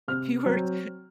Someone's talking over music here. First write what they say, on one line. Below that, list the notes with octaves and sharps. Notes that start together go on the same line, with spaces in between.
If you were to
C3 F6
F#3 C4